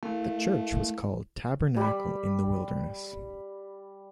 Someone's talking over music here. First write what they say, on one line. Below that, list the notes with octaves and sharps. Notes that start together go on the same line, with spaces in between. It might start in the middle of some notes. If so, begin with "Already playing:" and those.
The church was called Tabernacle In The Wilderness.
A3 E4 A#4 F5
G3 B5